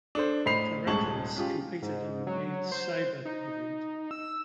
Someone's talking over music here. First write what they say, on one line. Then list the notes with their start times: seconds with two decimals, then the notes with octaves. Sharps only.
Karakalos competed in the men's sabre event.
0.15 D4 A4 C5
0.46 A2 D#4 C5 B5 C7 F7
0.87 D#1 G#2 G#3 A5 C#6 F#7
1.36 C#4 F4 G4
1.82 G#2
2.27 F#3
2.72 C5
3.25 D#4
4.11 E6